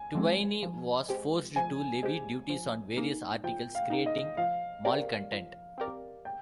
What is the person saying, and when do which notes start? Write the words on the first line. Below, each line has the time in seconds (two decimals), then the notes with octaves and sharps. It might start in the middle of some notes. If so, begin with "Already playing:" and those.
Thuwaini was forced to levy duties on various articles, creating malcontent.
Already playing: G#5
0.15 F3 G#3 C4
0.63 F3
1.09 G#3 C4 G4
1.56 F3 G#5
2.03 G#3 C4 G4
2.50 F3
2.97 A#3 D#4
3.44 F3 G5
3.75 F5
3.90 A#3 D#4
4.06 D#5
4.37 F3 F5
4.85 C4 G4 A#4 D5
5.32 F3
5.78 C4 G4 A#4 D5
6.25 G5